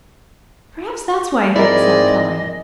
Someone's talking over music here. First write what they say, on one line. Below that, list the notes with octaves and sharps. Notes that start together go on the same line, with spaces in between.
Perhaps that is why I hear the South calling.
G#2 C4 E4 G#4 A#4 D5 D#5